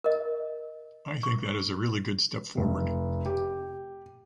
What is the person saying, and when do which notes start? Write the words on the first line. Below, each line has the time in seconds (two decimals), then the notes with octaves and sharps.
I think that is a really good step forward.
0.04 A#4 D#5
1.23 C#6
2.57 F1
3.26 G4